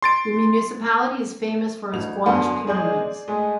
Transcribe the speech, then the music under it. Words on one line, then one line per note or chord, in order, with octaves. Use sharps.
The municipality is famous for its Guanche pyramids.
C6 A6 D7
A1 D2 F7
F#2 D3 B3 C6
G#3 G#4 D5 G6
G#3 A3